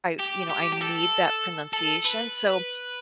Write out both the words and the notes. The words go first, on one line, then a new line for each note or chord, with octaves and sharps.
I, you know, I need that pronunciation, so
G4
G4
G4
A4
A4
B4